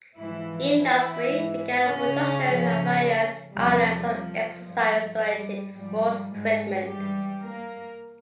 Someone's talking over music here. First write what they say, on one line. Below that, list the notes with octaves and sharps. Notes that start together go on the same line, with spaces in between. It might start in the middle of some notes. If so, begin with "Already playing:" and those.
Industry began the production of various items of exercise-oriented sports equipment.
G#2 E3 F3 E4
E3 E4
G#2 E3
C#3 C#4
G#2
F3
E2 C3 F3 G3
F3
G2 F3
G3
G#2 F3 G3
G#2 G#3
G2 E3 G3 G4
A#3 A#4